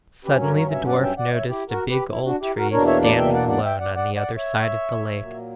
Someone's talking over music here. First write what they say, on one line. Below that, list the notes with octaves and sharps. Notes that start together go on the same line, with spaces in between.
Suddenly the dwarf noticed a big old tree standing alone on the other side of the lake.
G2 F#3 C#4 G4 B4
A#4 C#5
A#4 C#5
C#5 E5
D5 F#5
E5 G5
D5 F#5
C#5 E5
E4 G4
F#4 A#4
G4 B4
E4
D4 F#4
E4 G4
F#4 A#4
E2 B2 A#3 D4 A#4 C#5
C#5 E5
B4 D5
E5 G5
D5 F#5
D5 F#5
E5 G5
D5 F#5
D5 F#5
D5 F#5
C#5 E5
A#2 F#3 A#3